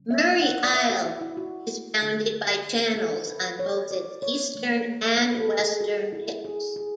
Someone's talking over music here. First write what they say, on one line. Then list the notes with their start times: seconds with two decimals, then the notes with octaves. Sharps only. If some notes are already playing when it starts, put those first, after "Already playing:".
Murray Isle is bounded by channels on both its eastern and western tips.
Already playing: C#3 F#3 C#4
0.11 E5
0.42 F#5
0.64 D5
0.74 E5
0.90 F#4
1.05 E4
1.21 E4
1.37 F#4
2.01 D3 A3 D4
2.96 A4
3.27 B4
3.59 C#5
3.91 D5
4.22 C#5
4.54 E3 A3 D4
5.18 B4
5.32 B4
5.38 A4
5.60 G#4
5.81 F#4
6.12 E4
6.45 G#4
6.76 G#4